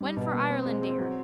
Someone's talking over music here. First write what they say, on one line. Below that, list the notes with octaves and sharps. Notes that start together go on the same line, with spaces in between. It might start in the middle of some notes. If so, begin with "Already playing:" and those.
When for Irelandear.
G3
B2
A#3
C4
G#3
C4
F#3